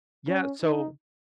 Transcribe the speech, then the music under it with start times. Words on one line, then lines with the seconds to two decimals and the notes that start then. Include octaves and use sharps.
Yeah, so
0.28 C#4
0.63 D#4